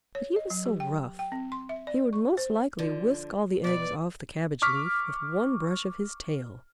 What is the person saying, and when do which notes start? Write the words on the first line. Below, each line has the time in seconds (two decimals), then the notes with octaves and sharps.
But he was so rough!--he would most likely whisk all the eggs off the cabbage-leaf with one brush of his tail.
0.15 C#5
0.36 D#5
0.50 F#3
0.66 G4
0.80 G5
1.19 G5
1.32 C4
1.52 C6
1.69 E5
1.87 D5
2.13 C#6
2.37 C5
2.79 D3 F3
3.64 B2 B4 D5
4.62 C#6 D6 F6 B6